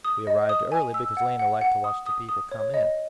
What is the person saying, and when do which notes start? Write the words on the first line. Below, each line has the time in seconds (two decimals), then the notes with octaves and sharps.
We arrived early, because Lena liked to watch the people come in.
0.04 D#6
0.27 D#5
0.49 D#6
0.72 G#5
0.94 E6
1.17 F#5
1.39 F#5
1.61 F#5
1.84 D#6
2.06 D#6
2.29 D#6
2.51 C#5
2.74 D#5